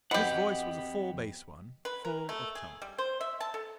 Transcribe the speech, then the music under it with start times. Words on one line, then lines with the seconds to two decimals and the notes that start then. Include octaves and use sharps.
His voice was a full bass one, full of tone.
0.11 F2 B2 B3 G4 F#5
1.85 B4
2.05 A#4
2.29 A3
2.55 G#4
2.82 G3
2.98 C5
3.21 E5
3.40 A5
3.54 A4